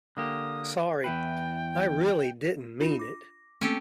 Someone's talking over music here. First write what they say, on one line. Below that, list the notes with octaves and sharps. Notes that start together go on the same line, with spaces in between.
Sorry, I really didn't mean it.
D3 A#3 G4 D#6
E2 E4 B4 G5
D4 F4 B5
D6 A#6
A3 A#3 C4 C#4 G4 A4